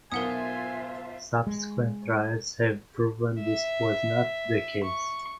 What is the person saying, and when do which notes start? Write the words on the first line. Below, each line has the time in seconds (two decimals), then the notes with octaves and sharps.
Subsequent trials have proven this was not the case.
0.12 B1 F4 A#4 C5 E5 F#5 G#5 D#6
1.47 G#3
3.41 E5
4.83 C#6